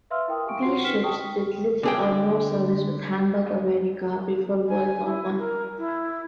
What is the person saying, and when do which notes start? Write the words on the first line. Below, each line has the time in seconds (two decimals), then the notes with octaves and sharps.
These ships did little or no service with Hamburg-America before World War One.
0.10 B4 E5 F5 C6 E6 F6
0.28 E4 A#4 G5 C6 D#6
0.46 G4 G#5 C#6 D7
0.62 F4 F#4 C5 F#5 C6 C7
0.84 D#4 G4 B4 F6 B6 E7
1.03 G5 A5 C#6 D#6
1.83 D3 G#4 G5
4.68 G#5
5.05 E4
5.38 A#4
5.78 E4